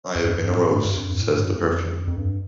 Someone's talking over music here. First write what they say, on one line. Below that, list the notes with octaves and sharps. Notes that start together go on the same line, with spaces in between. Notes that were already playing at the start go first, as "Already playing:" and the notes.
I have been a rose, says the perfume.
F2
G2
F2
G2
A2
G2
G2
F2
G2
A2
G2
F2
F2
G2